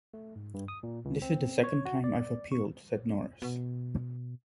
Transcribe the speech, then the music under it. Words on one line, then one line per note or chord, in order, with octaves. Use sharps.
"This is the second time I've appealed," said Norris.
A3
G#2
G2
D#6
A#2
C#2
C4
C#5
F#4
D5
C#6
B2